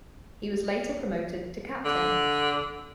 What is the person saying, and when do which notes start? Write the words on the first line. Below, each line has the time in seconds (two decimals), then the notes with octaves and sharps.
He was later promoted to captain.
1.85 D3